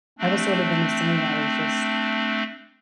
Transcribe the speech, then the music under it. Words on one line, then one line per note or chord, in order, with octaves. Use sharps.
I was sort of in the same, I was just
A3 C4 D4